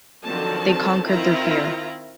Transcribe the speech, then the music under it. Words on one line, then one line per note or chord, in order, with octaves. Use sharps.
They conquered their fear.
D3 D#3 F3 F#3 C4 A5
D#3 C4 E4 F4 A#5